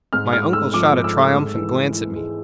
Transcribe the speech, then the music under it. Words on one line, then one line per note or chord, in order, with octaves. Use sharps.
My uncle shot a triumphant glance at me.
G#2 F6
G#2 F6
A3 E6
F3 D6
G#2
E6
A3
G#2
E3
E3
E3
G#3